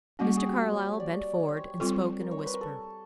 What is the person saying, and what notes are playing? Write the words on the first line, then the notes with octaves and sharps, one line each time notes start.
Mr. Carlyle bent forward and spoke in a whisper.
G3 A#3 C#4 F#4
G#4
G4
C5 C#5
D5
C#5
C5
C#5
G3 C4 F4 A4 C5
A#4
C#5
C5
B4
A#4
A4